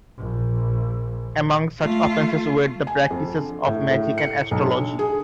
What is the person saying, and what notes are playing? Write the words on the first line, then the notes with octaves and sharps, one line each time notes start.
Among such offenses were the practices of magic and astrology.
A#1
A3 F4
G#5
F2
D3
A2
A2
C#7
B1
D3
G#4